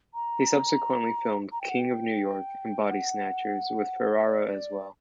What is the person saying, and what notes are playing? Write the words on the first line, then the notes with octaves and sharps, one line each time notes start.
He subsequently filmed "King of New York" and "Body Snatchers" with Ferrara as well.
A#5
A#5
G5
F#5
G5
E5
F#5
D5